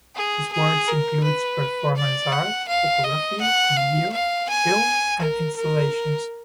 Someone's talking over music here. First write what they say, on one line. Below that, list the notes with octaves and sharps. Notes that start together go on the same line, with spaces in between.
His works includes performance art, photography, video, film and installations.
G#4
G#4
A#4
B4
D5
F#5
F5
D#5
F#5
F5
F5
G#5
A#4
A#4